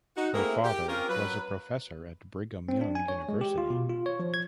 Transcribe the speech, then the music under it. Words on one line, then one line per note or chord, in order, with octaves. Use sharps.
Her father was a professor at Brigham Young University.
D#4 F#4
A3 A#3 C4 E4 G#4 A#4
G4
C4 C#4 F4 A#4
F#3 B4
C4
D4
G#5
C#5
G#3
G4
F4
B2
F4
C#5
F3
G#6